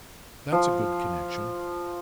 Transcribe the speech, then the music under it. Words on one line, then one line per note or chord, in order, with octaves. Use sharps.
'That's a good connexion!
F3